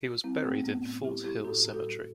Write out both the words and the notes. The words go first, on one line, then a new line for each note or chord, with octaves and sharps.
He was buried in Fort Hill Cemetery.
G3 C4 E4
G3 A3 C4
A2 B3
A2
G3 E4 G4
G3 E4 G4
A2 F#4 A4
A2
F#4 A4
G3